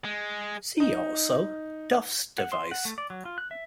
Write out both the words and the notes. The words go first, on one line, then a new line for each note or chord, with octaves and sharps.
See also Duff's device.
G#3
D#4
F#5
C6
F#5
A3
D5
F#3
F4
F#6
E5